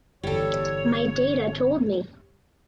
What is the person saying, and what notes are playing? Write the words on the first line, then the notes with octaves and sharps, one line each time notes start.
My data told me.
G1 E2 G3 A4 C#5